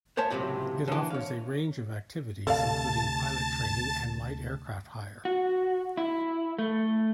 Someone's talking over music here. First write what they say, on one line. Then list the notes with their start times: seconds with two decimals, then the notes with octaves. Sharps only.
It offers a range of activities including pilot training and light aircraft hire.
0.17 C5 C#5 E5 A5
0.30 C#2 A2 C3 E3 F#3
0.88 D3 E3
1.10 C#5 F5
2.47 D2 C3 A4 D5 F5 A5 A6
5.25 F#4
5.97 E4
6.59 A3